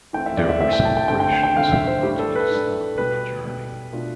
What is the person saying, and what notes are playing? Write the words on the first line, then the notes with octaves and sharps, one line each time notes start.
There were celebrations held at each stop of the journey.
E3 A3 C4 G5
E5
D5
E5
E3 A3 C4 E5
G5
A5
G5
D3 A3 C4 G5
G5
G5
G5
D3 A3 C4 F5
E5
C5
A2 G3 D4 G4
A4
B4
A2 G3 D4
B2 G3 B3 B4
B2 G3 B3
B2 A3 D4 F4